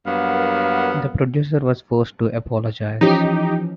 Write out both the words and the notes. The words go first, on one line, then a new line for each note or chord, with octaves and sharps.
The producer was forced to apologize.
G2 F#3 A#3 B3 A#4 F5
E3 F3 C#4 D#4 G4